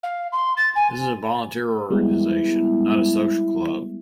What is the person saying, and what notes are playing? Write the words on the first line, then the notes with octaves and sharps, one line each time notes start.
This is a volunteer organization, not a social club.
F5
C6
A6
G#5
G3 G#3 B3 E4